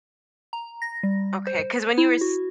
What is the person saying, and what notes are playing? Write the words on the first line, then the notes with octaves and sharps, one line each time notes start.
Okay, 'cause when you were s
A#5
A#6
G3
C5
E4
F#4